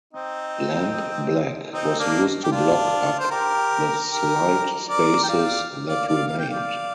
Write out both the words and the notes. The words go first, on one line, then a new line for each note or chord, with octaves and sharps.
Lampblack was used to block up the slight spaces that remained.
C4 D#4
C4 D#4
A#3 D4
G4
D4 F4
C5
G4 A#4
G4 A#4
A#4 D5
G5
D5 F5
D5 F5
D5 F5
F5
G5
D5 F5